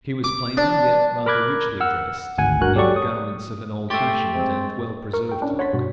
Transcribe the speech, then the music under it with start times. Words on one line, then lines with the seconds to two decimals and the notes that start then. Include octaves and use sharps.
She was plainly yet rather richly dressed, in garments of an old-fashioned and well-preserved look.
0.24 D6
0.57 D4
1.26 A#4 A#5 B5 D6 F#6 G#6
1.80 F#5 E6 F6
2.38 G#1 D2 F#5 G#5
2.61 G2 F#4 A#4 F#6
2.76 F#3 G4 A4 D5 C#6
2.96 D#6
3.90 A3 G4 E5 C6 C#6 A6
4.35 G#3 C4
5.13 A#4 C#6
5.29 A#4 G5
5.42 C#4 D4 E4
5.59 C#5 F#5 B5 C6 A6 B6
5.73 G2 B2 F#4